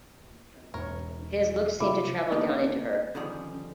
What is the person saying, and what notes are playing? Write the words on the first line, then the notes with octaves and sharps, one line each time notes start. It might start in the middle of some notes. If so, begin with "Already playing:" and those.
His look seemed to travel down into her.
E1 A#4 C#5
C3 E4 F4 D6
A#3 B3 D4 G4 D5 D#5
B2 D3 D#3 F3 G3 G#4